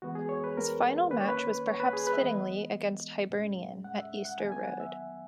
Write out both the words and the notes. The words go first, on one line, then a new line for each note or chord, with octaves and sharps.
His final match was perhaps fittingly against Hibernian at Easter Road.
E3 G#3 B3 F#4
G#4
C#5
B4
A#4
D#3 A#3 C#4 B4
C#5
B4
C#5
B4
G#4
B4
E5
E3 G#3 B3 D#5
A#2 G#3 C#4
F#5
E5
F#5
D#3 F#3 B3 G#5
G#5
F#5
E5